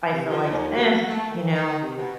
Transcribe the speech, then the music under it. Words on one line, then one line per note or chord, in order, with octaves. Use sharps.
I feel like, eh, you know?
C3
F3
D#2
F#4
A3
D#3
D#4
C3
B2